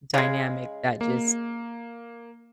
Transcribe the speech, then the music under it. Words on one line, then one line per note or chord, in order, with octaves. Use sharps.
dynamic that just
C#3 G#3
A#3